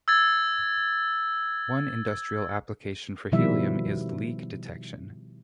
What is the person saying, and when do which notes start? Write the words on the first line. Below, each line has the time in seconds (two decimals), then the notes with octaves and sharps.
One industrial application for helium is leak detection.
0.08 E6 G#6 A6
3.32 B2 D#3 F3 G3 E4 E5